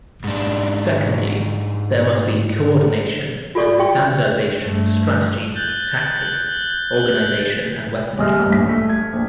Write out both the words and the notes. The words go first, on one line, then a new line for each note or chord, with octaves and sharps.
Secondly, there must be co-ordination and standardisation of strategy, tactics, organisation and weaponry.
G#2 D4
F4 F#4 A4 D5 C#6
F4 F#4 G5 C#6
G2 A3
F#6 G6 A6
C2 G#3 D#5 F6
A1 G2
A#1 B6
A3
G#6
A#1